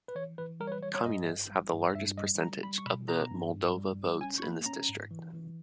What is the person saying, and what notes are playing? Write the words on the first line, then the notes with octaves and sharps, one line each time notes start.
Communists have the largest percentage of the Moldova votes in this district.
B4
E3 C#5
E3 B4
G3 A#4
C#5
B4
G3 C#5
C#5
G2 D#5
G1
G3
G2
G2 E5
G3 D#5
G3 A#5
G3 B5
C#6
B2 B5
B3 A#5
G2
G2
G3
G1
C#4 G#5
C#6
A#3 B5
C#4 A#5
G#2
E3
E3